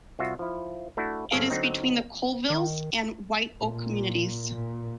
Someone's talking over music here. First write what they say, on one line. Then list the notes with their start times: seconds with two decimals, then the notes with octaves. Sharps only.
It is between the Colesville and White Oak communities.
0.19 C2 F4 F#4 E5
0.39 F3 E4
0.97 A3 D4 E4 F#4
1.31 G1 C#4 G#4 A4 F5
1.50 D3 F#3 C4 D#4
2.50 D#3
3.59 A#2
4.52 A#2